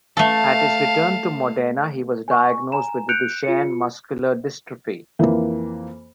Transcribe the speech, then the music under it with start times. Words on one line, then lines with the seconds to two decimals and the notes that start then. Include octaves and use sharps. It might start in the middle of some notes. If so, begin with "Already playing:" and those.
At his return to Modena, he was diagnosed with Duchenne muscular dystrophy.
0.17 A3 A4 F5 A5
2.28 G#5 C#6
2.72 G#5 A#5 E7
3.09 F#6 G6 C#7 D7 F7
3.44 F4 C#7
5.19 F2 E3 A#3